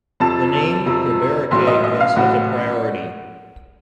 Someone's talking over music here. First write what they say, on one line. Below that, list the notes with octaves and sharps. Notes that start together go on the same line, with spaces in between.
The name "Krubera Cave" thus has a priority.
F2 C3 F3 A5
F2 C3 F3
A1 A2 F#3 C6
D#5
D#5
F5
A1 A2 F#3 F#5